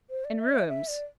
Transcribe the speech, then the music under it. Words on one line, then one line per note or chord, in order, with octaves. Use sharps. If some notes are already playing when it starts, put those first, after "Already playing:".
"In rooms?"
C5
D5
E5
D5
E5
E5
D5